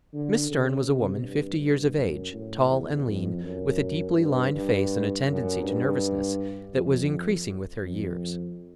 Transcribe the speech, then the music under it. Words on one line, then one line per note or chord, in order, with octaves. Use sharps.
Miss Stearne was a woman fifty years of age, tall and lean, with a deeply lined face and a tendency to nervousness that was increasing with her years.
D3
C#3
C3
G2
G2
F#2
A2
E2
F2
F#2
G2
G2
F#2
G2
F2
F2